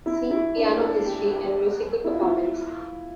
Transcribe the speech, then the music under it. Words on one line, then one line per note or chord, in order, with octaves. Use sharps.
"See Piano history and musical performance".
E4
E4
D4
A4
G4
G4
E4
F4
E4